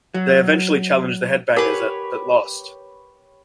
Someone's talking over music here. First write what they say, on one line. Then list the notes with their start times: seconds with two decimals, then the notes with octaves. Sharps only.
They eventually challenged the Headbangers at but lost.
0.14 F#3
1.57 G4 A#4 B4 C#5 F#5 G#5